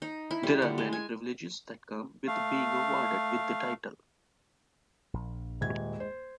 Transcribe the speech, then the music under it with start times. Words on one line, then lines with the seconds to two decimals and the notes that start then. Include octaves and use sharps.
There are many privileges that come with being awarded with the title.
0.02 D#4
0.31 E4
0.43 G3
0.62 D3
0.78 G#3
0.93 G#5
2.27 A3 F5
5.14 A#1
5.61 D#1 G#3 E5 G#6
6.00 C5